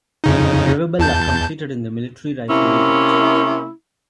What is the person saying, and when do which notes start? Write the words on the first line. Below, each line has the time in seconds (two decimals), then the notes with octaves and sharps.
Rivabella competed in the military rifle event.
0.24 F2 C#3 D#4
0.99 E2 A5 G6
2.50 C3 A#3 C#4 E4